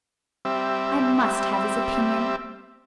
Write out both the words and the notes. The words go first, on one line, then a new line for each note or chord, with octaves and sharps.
I must have his opinion.
G3 C4 E5